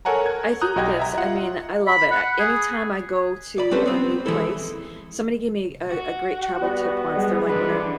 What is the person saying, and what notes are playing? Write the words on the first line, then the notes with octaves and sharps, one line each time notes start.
I think that's I mean, I love it, a anytime I go to a new place, somebody gave me a a great travel tip once, they're like, "Whenever
A4 A#4 C#5 F#5 G#5 A#5
G#6
A#5 D#6 F#6 G6
B1 F#4 G4 D#5 G5 G#6
D#5 E5 A#5
F4 F#5
B5
F#5
G#4
D5 B5
G3 C4 C#4 A4 B4 C5
B3 C4
E3 G#3 E4 A4
F#4
G3 B3
G3 G#3 G#4
D3 E3 D4 B4